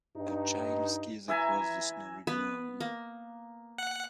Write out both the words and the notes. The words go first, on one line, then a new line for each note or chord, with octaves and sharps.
A child skis across the snowy ground.
G2 D#4
E3 E5 G#5 A#5
B3 B4
A#3
F#5